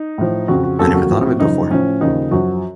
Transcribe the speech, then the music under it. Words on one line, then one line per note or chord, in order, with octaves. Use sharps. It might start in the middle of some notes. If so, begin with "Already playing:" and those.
I never thought of it before.
Already playing: D#4
A2 F3
F2 C#3 F3 F#4
F#4
D#2 C#3 F#3 A4
F#4
A2 F3
F#2 C#3 F3 D#4
A2 F3 C#4
D#2 C#3 F3 D#4
F#2 F3 F#4